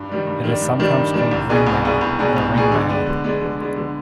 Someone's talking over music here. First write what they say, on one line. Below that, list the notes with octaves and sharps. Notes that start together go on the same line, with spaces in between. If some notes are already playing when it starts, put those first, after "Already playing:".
It is sometimes called ringmail or ring mail.
Already playing: G2
D#3 G3 D4
G2
D#3 G3 D4
G2
D#3 G3 D4
G2
D#3 G3 D4
C2
B2 B3 D4 G#4
C2
B2 B3 D4 G#4
C2
B2 B3 D4 G#4
C2
B2 B3 D4 G#4
D3
G#3 B3 D4
D3
G#3 B3 D4
D3
G#3 B3 D4
D3